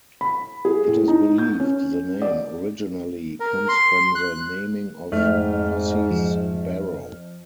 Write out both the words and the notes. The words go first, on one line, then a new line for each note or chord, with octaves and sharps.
It is believed the name originally comes from the naming of 'Pusse's barrow'.
B5
G#4
A2
D#4
G6
C#4
D5
A#4
C6
F#6
F2 G#2 A3 F6
F3